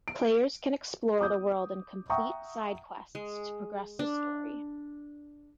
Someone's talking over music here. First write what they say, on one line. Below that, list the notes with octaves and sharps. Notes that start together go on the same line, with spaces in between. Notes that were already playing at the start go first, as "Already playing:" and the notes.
Players can explore the world and complete side quests to progress the story.
D7
D6 D#6 G6
E5 F#5 G5 A#5 C#6 D#6
G#3
D4